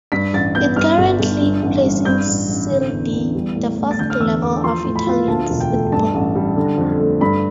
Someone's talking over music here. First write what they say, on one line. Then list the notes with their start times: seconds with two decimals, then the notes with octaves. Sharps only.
It currently plays in "Serie D", the fourth level of Italian football.
0.12 G2 B6
0.33 A1 A6
0.55 B3 G6
0.76 G2 F6
0.98 G1
1.19 G1
1.41 G2
1.62 A1
1.84 G3
2.05 G2 G6
2.27 A1
2.49 A1
2.70 D3
2.91 E2
3.13 E2
3.35 G3
3.56 A2
3.78 A2
3.91 A6
3.99 D3 G6
4.10 F6
4.20 E2 E6
4.42 E2 D6
4.63 F3 C6
4.85 A2
4.96 B5
5.07 F4
5.28 D2 A5
5.49 E1
5.60 G5
5.71 A3
5.92 G2 A5
6.14 A1
6.35 G3
6.57 D3
6.78 F2
7.00 A3
7.21 G2 B5